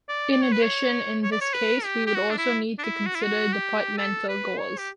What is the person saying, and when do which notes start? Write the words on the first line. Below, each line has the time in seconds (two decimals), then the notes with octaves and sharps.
In addition, in this case, we would also need to consider departmental goals.
0.08 D5
0.31 D5
0.41 C#5
0.52 B4
0.63 C#5
1.23 C#5
1.32 D5
1.41 C#5
1.54 B4
1.84 G4
2.06 G4
2.15 F#4
2.30 D4
2.38 E4
2.79 D4
2.84 E4
3.06 F#4
3.15 E4
3.23 F#4
3.52 G4
3.98 A4
4.29 B4
4.59 C#5
4.78 G4